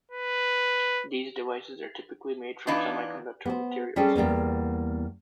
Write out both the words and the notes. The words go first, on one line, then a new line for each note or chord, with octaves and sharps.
These devices are typically made from semiconductor materials.
B4
E3 B3 D4 D#4 F4
B3 C5
G3 C4 C#4 G#4 A4
E2 G3 A#3 B3